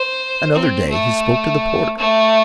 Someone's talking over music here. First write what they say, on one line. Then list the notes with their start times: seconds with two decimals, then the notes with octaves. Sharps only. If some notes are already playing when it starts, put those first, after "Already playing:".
Another day he spoke to the porter.
Already playing: C5
0.54 C4
0.90 A3
1.98 A3